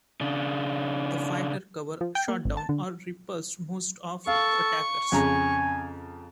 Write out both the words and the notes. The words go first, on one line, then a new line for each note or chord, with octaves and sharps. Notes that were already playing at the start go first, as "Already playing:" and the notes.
The fighter cover shot down or repulsed most of the attackers.
C#3 D4
F3
G5
A#3
G#1
A5
D3
A4 F5 C#6
F2 C#3 G#5 A#5